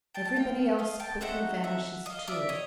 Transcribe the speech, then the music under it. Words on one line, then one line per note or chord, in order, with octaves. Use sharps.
Everybody else quickly vanishes too.
G5 A5
G5 A5
F5 G5
D#5 F5
G5 A5
C4 D#4 F#4 A4 E5 F#5
E5 F#5
D#5 F5
D5 E5
C#5 D#5